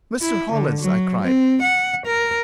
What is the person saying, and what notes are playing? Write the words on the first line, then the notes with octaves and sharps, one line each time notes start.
"Mr. Hollins!" I cried.
E4
D3
F#3
C4
F#5
A#4